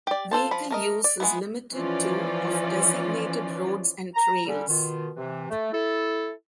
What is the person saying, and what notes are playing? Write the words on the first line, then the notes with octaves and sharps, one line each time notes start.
Vehicle use is limited to of designated roads and trails.
G4 D5
F4 A4 C5 A5
F3 B5
A3 A#4 D#5
D5
G#3 A#3 B3 E4
E3 F3 C#4 F4 D5
A#5
D3 G3 C#4
B2 D#3 F4
C3 E3
A3
E4 A4